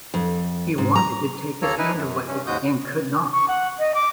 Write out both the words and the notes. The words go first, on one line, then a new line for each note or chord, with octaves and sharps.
He wanted to take his hand away, and could not.
F2
G#2
A#5
D#2 A#3 A4 C#5 A#5
D#4 E4 B4 G#5
F#2
G2 C#4
D#2 G#2 G#3 F#4 D#6 G6
C#6
F#5
D#5
D6